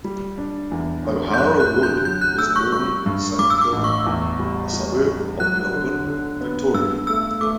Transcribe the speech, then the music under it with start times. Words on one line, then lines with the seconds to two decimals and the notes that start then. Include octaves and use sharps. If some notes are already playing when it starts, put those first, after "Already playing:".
O'Hara Wood was born in Saint Kilda, a suburb of Melbourne, Victoria.
0.04 G3
0.38 D4
0.71 E2
1.05 D3
1.34 G6
1.38 F#2 F#6
1.60 F#6
1.72 D3
1.83 G6
2.05 F#3 G6
2.21 F#6
2.39 A3 E6
2.56 C#6
2.72 G3 C#6
3.06 G2
3.39 G2 D6
3.50 E6
3.61 D6
3.73 A1
3.84 C#6
4.06 E2
4.39 G3
4.73 G3
5.07 G3
5.40 F#3 F#6
5.73 D3
6.07 D3
6.41 B3
6.74 G2 E6
7.07 A3 E6
7.41 A3 D6